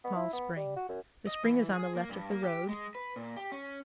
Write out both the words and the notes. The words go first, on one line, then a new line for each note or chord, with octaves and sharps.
Small Spring.--The spring is on the left of the road.
B3
E4
B3
G3
F#4
F#2
D#5
E3
G#4
A#3
G2
A#3
G4
G#3
B4
A#2
G4
C#4